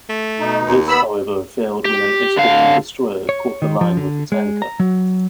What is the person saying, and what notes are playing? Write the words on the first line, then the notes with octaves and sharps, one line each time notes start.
This, however, failed when an escorting destroyer caught the line with its anchor.
A3
B2 D#4
D#2
B3 B5 E6
G4
D3 F5
C#5
D#3
F3
D3
G#3
A#5
F#3